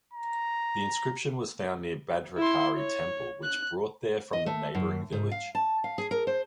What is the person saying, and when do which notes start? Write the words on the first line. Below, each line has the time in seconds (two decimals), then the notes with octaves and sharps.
The inscription was found near Bhadrakali Temple which brought there from the neighbouring village.
0.13 A#5
2.38 E4 C6
2.78 C#5
3.44 F#6
4.33 D#5
4.46 A3
4.75 F#2
5.12 G#2
5.31 F5
5.55 A5
5.84 F5
5.98 G#4
6.11 A#4
6.27 C5